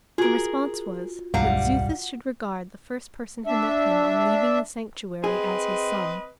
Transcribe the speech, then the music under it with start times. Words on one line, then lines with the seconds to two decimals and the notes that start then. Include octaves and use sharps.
The response was, that Xuthus should regard the first person who met him on leaving the sanctuary as his son.
0.18 F4 F#4 G#4 A#4
1.34 D1 B1 G2 G3 F5 F#5 A#5
3.47 D4 E5
5.24 C4 G#4 B4 D#5